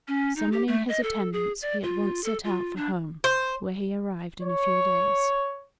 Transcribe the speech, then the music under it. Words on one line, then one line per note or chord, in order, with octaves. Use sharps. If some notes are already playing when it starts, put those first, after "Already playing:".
Summoning his attendants, he at once set out for home, where he arrived in a few days.
C#4
D#4
G4
A3
D#5
A4
G#4
D5
F4
A4
F4
D4
C5
C#5